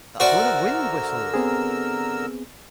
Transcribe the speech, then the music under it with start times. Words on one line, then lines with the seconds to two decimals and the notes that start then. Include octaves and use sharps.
That's where the wind whistles.
0.20 D3 F#4 A#4 C5 D5 E5 F#5 E6
1.34 B3 C4 G#4